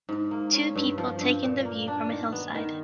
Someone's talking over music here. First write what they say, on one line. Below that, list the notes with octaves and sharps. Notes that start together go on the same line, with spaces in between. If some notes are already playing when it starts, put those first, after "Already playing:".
Two people take in the view from a hillside.
G#2
A#3
C#4
G2
F3
G2
A#2
A#3
D4
D#3
B3
D#3